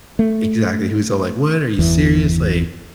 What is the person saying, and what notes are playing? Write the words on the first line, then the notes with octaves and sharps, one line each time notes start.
Exactly he was all, like, "What? Are you serious"? Like,
A3
G1 E2 E3